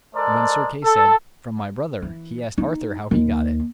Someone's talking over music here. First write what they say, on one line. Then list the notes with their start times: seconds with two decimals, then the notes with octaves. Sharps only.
And when Sir Kay said, "From my brother," he asked Arthur how he got it.
0.15 G#3 A4 A#4 C5 D5
0.84 A4
2.02 E3
2.58 D#4
3.11 D#2